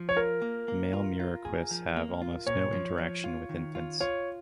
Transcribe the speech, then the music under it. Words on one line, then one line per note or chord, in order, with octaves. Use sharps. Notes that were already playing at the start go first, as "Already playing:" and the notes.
Male muriquis have almost no interaction with infants.
Already playing: F3
C#5
F4 A#4
A#3
A#3
F4
F4
G#4
F3
A#3
F4
A#2 C#5
F3
F3
F4
D#3
F4
F4 C#5